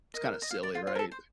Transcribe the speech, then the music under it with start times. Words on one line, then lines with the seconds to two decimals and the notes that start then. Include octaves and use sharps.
It's kinda silly, right?
0.14 A#4 D#5
0.42 D#5
0.51 F5
0.63 D5
0.75 F4
0.82 D5
0.87 F4 C5
0.95 A#4
0.99 A4
1.12 C5